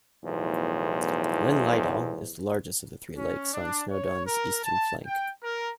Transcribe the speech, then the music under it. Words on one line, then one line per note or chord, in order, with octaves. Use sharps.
Llyn Llydaw is the largest of the three lakes on Snowdon's eastern flank.
B1 E2 A2 F3
C#4
D4
C#5
A#4
A5
G5
A#4